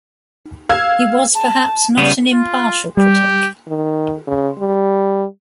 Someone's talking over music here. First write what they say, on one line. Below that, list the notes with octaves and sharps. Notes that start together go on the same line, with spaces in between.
He was perhaps not an impartial critic.
F5 E6 G#6
A5
C#3 G3 B3 D5
F4
G3 G4
D#3
C#3
G3